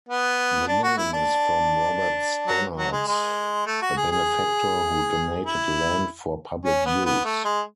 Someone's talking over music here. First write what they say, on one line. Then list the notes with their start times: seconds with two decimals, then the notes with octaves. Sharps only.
The name is from Robert Stanard, a benefactor who donated land for public use.
0.09 B3
0.68 D4
0.83 F#4
0.98 E4
1.13 D4
2.47 F#3
2.77 F#3
2.92 G#3
3.07 G#3
3.66 A3
3.82 F#4
3.97 G#4
4.11 G#4
5.46 E4
6.65 C#4
6.86 B3
7.05 B3
7.25 A3
7.44 G#3